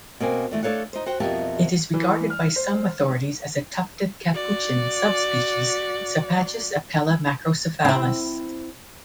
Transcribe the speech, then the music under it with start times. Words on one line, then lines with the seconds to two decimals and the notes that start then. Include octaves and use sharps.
It is regarded by some authorities as a tufted capuchin subspecies, "Sapajus apella macrocephalus".
0.20 B2 A#3 C4 G#5
0.51 D3 E3 A3
0.63 A3 D4 A4 C#5 F5 F#5
0.93 D#4 C5
1.06 F#4 C5 F#5 G5
1.20 F2 B2 A#3 G4 E5 A5
1.94 E3
2.30 F6
2.56 C5
4.33 F#4 D5
7.85 C4 E4